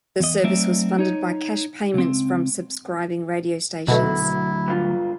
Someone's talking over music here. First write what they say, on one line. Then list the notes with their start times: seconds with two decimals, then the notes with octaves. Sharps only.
The service was funded by cash payments from subscribing radio stations.
0.20 E2 D#5
0.44 F#3 A3 C4 D#4 D5 E5
0.99 D#4 C#5 D#5
1.94 C#2 C4
3.88 D2 B2 F#3 A3 E4
4.68 G2 F4